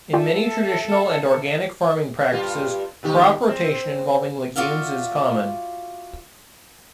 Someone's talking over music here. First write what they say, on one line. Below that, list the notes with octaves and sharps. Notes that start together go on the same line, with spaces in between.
In many traditional and organic farming practices, crop rotation involving legumes is common.
F4 A4 D5 E5 G5
G2 F4 G4
B2 D#3 G4
C4
F4 F#4 D5 E5 F5